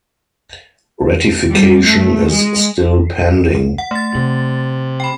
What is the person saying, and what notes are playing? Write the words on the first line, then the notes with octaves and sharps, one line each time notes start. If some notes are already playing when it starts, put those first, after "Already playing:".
Ratification is still pending.
G3
A3
G#3
F#5
A3 A6
C3
G5 B5